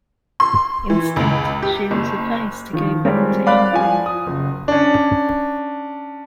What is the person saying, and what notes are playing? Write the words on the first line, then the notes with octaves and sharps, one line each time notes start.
Instead, she was advised to go back to England.
C6
E3
C#2
G4
F#1
D#3 F3
G3 G#3 C4 A#4 C#5 D5
D5 F5 B5 F#6
F3 G#5
D#6
F#1
C#4 D4